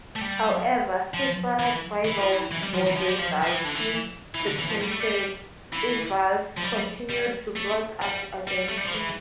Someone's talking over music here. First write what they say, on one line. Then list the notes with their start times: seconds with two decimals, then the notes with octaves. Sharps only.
However, his father's rivals for the duchy, the Pentheiveres, continued to plot against him.
0.16 A3
0.21 G3
1.14 F3
1.59 E3
2.05 E3
2.19 F3
2.32 E3
2.51 E3
2.63 G3
2.74 F3
2.86 E3
2.97 F3
3.08 G3
3.18 F3
3.42 F3
3.54 E3
3.65 D3
3.75 E3
4.35 E3
4.46 D3
4.58 E3
4.69 F3
4.81 G3
4.90 A3
5.00 G3
5.73 E3
6.57 F3
6.64 G3
7.10 G3
7.56 A3
8.02 G3
8.48 G3
8.69 A3
8.78 G3
8.86 F3
8.94 E3